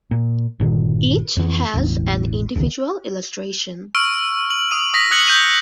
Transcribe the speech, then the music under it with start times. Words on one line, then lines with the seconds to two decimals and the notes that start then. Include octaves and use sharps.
Each has an individual illustration.
0.11 A#2
0.60 G1 A#2 D#3
1.37 F2 E3
1.74 E1 A1 E2
2.56 E1 C#2 D#3
3.95 C#6 E6 F6 D7
4.50 F#7
4.71 D#6 D#7
4.94 D#6 A#6 B6
5.11 D#6 F#6 G#6 C#7 F#7
5.26 G6 B6 D#7 F7 F#7